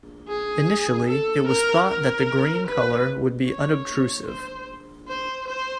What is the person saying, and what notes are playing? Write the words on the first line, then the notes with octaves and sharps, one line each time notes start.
Initially, it was thought that the green colour would be unobtrusive.
G#4
A4
A#4
A#4
B4
C#5
C5
C5
C5